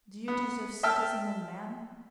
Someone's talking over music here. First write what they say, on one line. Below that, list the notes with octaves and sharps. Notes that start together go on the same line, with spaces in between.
Duties of citizen and man?
B3
E5 G5 A5 E6 F6